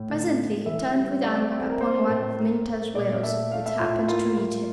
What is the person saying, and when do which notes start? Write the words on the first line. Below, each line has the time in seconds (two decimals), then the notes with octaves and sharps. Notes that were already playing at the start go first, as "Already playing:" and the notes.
Presently he turned with anger upon one of Minta's wails which happened to reach him.
Already playing: A2
0.10 D3
0.39 D3
0.66 E3 E5
0.95 G3
1.24 C4 D5
1.52 C4
1.70 A#4
1.80 A#3 C5
2.09 A2
2.38 A#3
2.66 A#3
2.94 A#2 D5
3.23 A3 E5
3.51 A3 F5
3.66 E5
3.80 A2 F4
3.94 E4
4.08 A#3 F4
4.36 A#3 F4